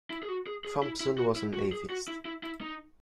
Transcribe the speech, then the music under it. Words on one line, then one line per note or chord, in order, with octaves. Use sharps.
Thompson was an atheist.
E4
G#4
F#4
G#4
G#4
E4
E4
F#4
E4
F#4
G#4
F#4
E4
E4
E4
D#4